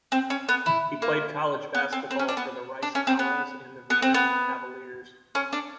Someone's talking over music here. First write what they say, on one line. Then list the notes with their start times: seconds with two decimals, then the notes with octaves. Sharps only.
He played college basketball for the Rice Owls and the Virginia Cavaliers.
0.12 C4
0.30 C#4
0.49 B3
0.66 E4
1.02 A#3
1.75 B3
1.93 C4
2.11 C4
2.19 C#4
2.28 D4
2.37 B3
2.82 D4
2.95 C#4
3.07 C4
3.19 B3
3.90 B3
4.02 C4
4.14 B3
5.35 C#4
5.53 D4